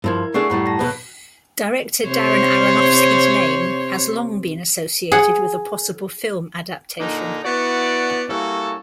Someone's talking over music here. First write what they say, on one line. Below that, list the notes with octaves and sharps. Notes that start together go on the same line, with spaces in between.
Director Darren Aronofsky's name has long been associated with a possible film adaptation.
G2 F3 E4 A#4 G#6
A3 D4 G#4 F#5 C#6 C7
F#2 A2 G3 F#5 A#5
A5 A#6
B1 B2 B3
C3 C5 C#5
G#4 F#5
A#2 D3 D4 D#4
B3 E4 F#4 D5
G3 A#3 C#4 E4 F#4 A4